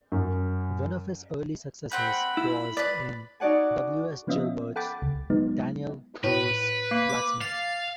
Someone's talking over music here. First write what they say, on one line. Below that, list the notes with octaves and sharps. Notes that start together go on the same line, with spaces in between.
One of his early successes was in W. S. Gilbert's "Dan'l Druce, Blacksmith".
F#2
C4 F#5 B5 G6
E4
B4 D5 B5
D#4 F#4 D5 F#5 G#5
F3 B3 C#4 F4 D#5 E5
A4 F#5 G5 B5 D6 A6
C#2
F#3 G#3 B3 D#4
A2 B4
A#3
D6
F5 A6